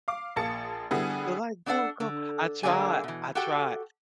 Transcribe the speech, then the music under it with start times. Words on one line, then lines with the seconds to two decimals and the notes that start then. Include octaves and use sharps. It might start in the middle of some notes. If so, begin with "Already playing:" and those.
They're like, "Go, go." I tried I tried,
0.08 F5 D6
0.36 A#1 A#3 G#4 A5 A6 C#7
0.91 D3 G3 B3 E4 G#4
1.66 B3 D4 A4 D5 F#5
2.00 D3
2.63 D3 G#3 A#3 G#4 D5 G#5
3.04 B2 E3
3.35 F#4 G4 A4 F#5 G5